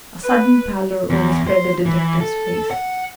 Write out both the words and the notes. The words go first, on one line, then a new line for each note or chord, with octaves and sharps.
A sudden pallor overspread the detective's face.
B4
E2
C5
E3
A4
F#5